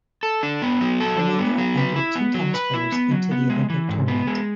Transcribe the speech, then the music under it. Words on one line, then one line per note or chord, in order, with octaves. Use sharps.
Romania entered two tennis players into the Olympic tournament.
A4
D4
B3
F#3
A4
D4
B3
F#3
B4
E4
B3
F#3
B4
E4
B3
F#3
B3
G#3
E3
G#2
B3
G#3